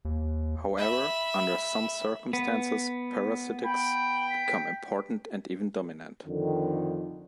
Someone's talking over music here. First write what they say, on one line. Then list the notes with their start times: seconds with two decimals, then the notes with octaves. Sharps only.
However, under some circumstances parasitics become important and even dominant.
0.05 D#2
0.78 E5 B5
2.33 B3
3.64 G5 B5
4.30 B6
6.26 F2 D3 D#3